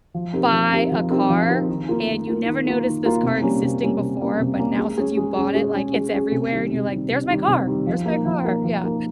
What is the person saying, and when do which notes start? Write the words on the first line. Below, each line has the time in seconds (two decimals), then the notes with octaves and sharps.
buy a car and you never noticed this car existing before, but now since you bought it, like, it's everywhere and you're, like, "There's my car. There's my car," yeah.
0.14 F3
0.33 C4 D#4 G4 A#4
0.52 F3
0.72 C4 D#4 G4 A#4
0.92 F3
1.10 C4 D#4 G4 A#4
1.30 F3
1.49 C4 D#4 G4 A#4
1.68 D#3
1.88 A#3 F4 A#4
2.08 D#3
2.27 A#3 F4 A#4
2.46 D#3
2.66 A#3 F4 A#4
2.85 D#3
3.04 A#3 F4 A#4
3.23 C3
3.42 G3 A#3 C#4
3.62 C3
3.82 G3 A#3 C#4
4.01 C3
4.19 G3 A#3 C#4
4.40 C3
4.58 G3 A#3 C#4
4.78 G#3
4.97 C#4 G#4
5.17 G#3
5.36 C#4 G#4
5.55 G#3
5.75 C#4 G#4
5.94 G#3
6.14 C#4 G#4
6.32 C3
6.52 D#3 G3
6.72 C3
6.90 D#3 G3
7.10 C3
7.29 D#3 G3
7.48 C3
7.67 D#3 G3
7.87 F3
8.06 A#3 D#4 A#4
8.26 F3
8.45 A#3 D#4 A#4
8.64 F3
8.84 A#3 D#4 A#4